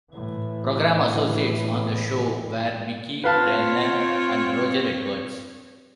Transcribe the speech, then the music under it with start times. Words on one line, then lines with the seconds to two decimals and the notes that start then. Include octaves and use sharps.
Programme associates on the show were Mickey Brennan and Roger Edwards.
0.12 A2 E3
3.24 C4 F4 B4 C#5 F5 A5